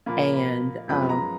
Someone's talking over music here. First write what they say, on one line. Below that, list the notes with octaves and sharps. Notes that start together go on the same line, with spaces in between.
and, um,
A#2 F3 A#3 B5
B5
F#2 F3 G#3 B3 B5
A#5